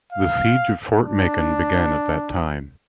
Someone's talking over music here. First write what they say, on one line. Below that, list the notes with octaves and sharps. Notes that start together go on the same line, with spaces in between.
The siege of Fort Macon began at that time.
F5
D4